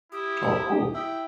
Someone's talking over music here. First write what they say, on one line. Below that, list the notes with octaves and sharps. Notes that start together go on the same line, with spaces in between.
Oh, cool.
E4 G4 D#6
E4 G5